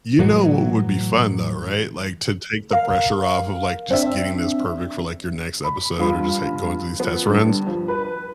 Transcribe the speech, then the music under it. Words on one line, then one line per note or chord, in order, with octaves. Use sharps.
You know what would be fun, though. Right? Like, to take the pressure off of, like, just getting this perfect for, like, your next episode or just, like, going through these test runs.
A2 E3 F#3
A#4 F5
C4 D4 E5
B5
G2 F4 B5
F3 B3
G2 D3
F3
B4 B5